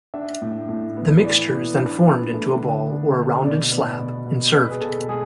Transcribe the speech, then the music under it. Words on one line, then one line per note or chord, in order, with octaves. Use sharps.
The mixture is then formed into a ball or a rounded slab and served.
D4 E5
A2
A2
B3
E3 D5
B3
D4
B3
A3
D3
D4
A3
B2 D5
B3
B2
B2
B2 B4
G#4
B2 A4
G#3 G#4